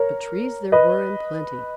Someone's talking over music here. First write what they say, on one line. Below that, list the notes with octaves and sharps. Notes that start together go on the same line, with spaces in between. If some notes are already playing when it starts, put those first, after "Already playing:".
But Trees there were in plenty.
Already playing: A#4 C#5
B4 D#5